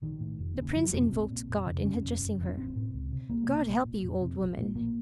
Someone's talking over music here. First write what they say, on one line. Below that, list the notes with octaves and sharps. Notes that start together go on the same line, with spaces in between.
The prince invoked God in addressing her: "God help you, old woman!"
A#1 D#3
A2
F1
D#2 C#3
F#1 F3
F#3
F2 C3 A3
C#4
A#1 C4
A#2
F1
F2 C#3
F#1 C#4
F2 C3
F#1
F2 C#3
C#4
A1 C4
A2
C#2
C3
C2 A#3
C3
A#1
A#2
F1
F2 C3
A#1
A#2
A1 A#3